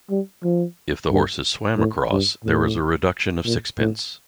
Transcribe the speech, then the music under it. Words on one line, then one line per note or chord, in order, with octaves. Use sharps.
If the horses swam across, there was a reduction of sixpence.
G3
F3
G2
A2
G2
A2
A#2
A2